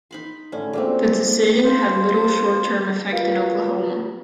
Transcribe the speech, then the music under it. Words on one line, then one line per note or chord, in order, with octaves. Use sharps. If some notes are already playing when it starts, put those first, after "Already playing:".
The decision had little short-term effect in Oklahoma.
D#4 B5 C6
A2 D3 C#4
A#2 G#3 A3 C4 G4
F4 C5
F4 G4 A#4 B4 F5